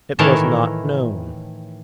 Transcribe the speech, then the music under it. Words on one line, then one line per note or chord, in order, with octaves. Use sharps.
It was not known.
A2 D#3 E3 A4 A#4 C#5